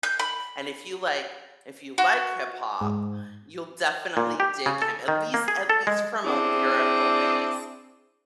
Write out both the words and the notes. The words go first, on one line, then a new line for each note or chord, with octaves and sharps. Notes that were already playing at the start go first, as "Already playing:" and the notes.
and if you like if you like hip hop, you'll definitely dig him, at least at least from a lyrical base.
G6
B5
F#4
G#2
A#2
G4
C#3
A4
D#3
A#3
G#4
A4
G#3
C4 D4 E4 G#4